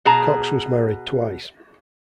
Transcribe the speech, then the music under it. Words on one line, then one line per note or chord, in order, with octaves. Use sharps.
Cox was married twice.
B2 G#4 A5 A#5